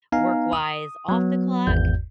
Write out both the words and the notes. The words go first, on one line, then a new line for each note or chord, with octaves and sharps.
work-wise, off the clock.
B3 D#4 F5 G#5 A#5
D#6
F#3 B3
G#1 E2 G#2 G6